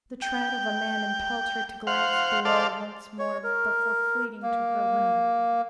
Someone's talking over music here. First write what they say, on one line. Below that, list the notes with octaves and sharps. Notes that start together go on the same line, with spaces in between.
The tread of a man impelled her to glance below once more before fleeing to her room.
G5
C5 F5 F#5
A4 C5 D5 F5
C#5
A#4
A#3